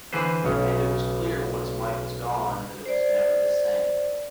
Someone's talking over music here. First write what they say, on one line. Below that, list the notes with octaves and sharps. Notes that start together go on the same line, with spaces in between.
And it was clear once Mike was gone that it was never the same.
D3 E3 G#4 B4 C5
B1 C#3 C#5
C5 D5